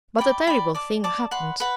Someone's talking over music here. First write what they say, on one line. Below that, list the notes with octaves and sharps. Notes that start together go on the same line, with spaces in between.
But a terrible thing happened!
D5 G5 B5
D5 G5 B5
D5 A5 D6
D5 A5 D6
B4 F#5 C6
B4 F#5